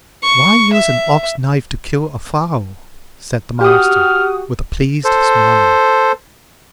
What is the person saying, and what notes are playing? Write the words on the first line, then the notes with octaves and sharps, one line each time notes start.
Why use an ox-knife to kill a fowl? said the Master, with a pleased smile.
C#6
E5
F#4 G4 D#6 F6
A4 C5